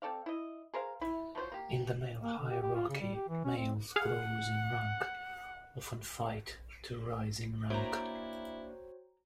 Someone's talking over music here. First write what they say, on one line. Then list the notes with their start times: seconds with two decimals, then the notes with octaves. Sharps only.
In the male hierarchy, males close in rank often fight to rise in rank.
0.02 C4 A4 D5 F5
0.26 E4 D#5
0.74 G#4 A#4 C5 F5
1.01 E4
1.35 F3 F#3 B4 C5
1.52 A#3 G4
2.22 A#3
2.38 D3
2.50 G4
2.62 G4
2.75 F4
2.89 C#3
3.01 G3
3.14 G4
3.29 E3
3.45 C#4
3.57 C4
3.96 G#4 F5 F#5
7.70 A#3 D4 E4 F#4 C5 C#5 G5 A#5